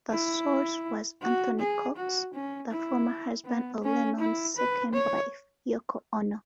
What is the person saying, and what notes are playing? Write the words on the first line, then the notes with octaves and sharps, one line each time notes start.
The source was Anthony Cox, the former husband of Lennon's second wife, Yoko Ono.
E4
F#4
G#4
F#4
C#4
E4
B3
C#4
E4
B4
C#5